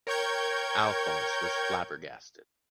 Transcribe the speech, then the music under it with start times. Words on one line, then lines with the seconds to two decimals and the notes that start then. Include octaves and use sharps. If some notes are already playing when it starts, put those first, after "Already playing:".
Alfons was flabbergasted.
0.07 A#4 C#5 G5 C#6 G6 G#6